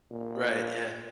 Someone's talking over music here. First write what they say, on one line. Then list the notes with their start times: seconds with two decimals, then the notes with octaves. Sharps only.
Right. Yeah.
0.11 A#2